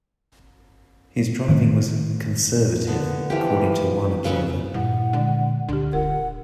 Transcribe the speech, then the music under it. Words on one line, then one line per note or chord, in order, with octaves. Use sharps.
His driving was "conservative" according to one observer.
A2 D#3 A3
D3 B3
E3 F3 G4
C#3 F#3 B3
G2 A#2 D#3 E4 F#5
D3 G#3 D5
C#2 D3 D4 G4
D#1 F4 A#4 F#5